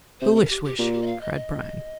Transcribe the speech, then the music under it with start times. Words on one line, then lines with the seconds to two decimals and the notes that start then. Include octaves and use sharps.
"A foolish wish," cried Bryan.
0.20 C3 C5
0.35 A#4
0.50 G4
0.64 G4
0.78 A#2 G4
0.93 G4
1.02 D#5
1.07 F5
1.21 D#5
1.35 D#5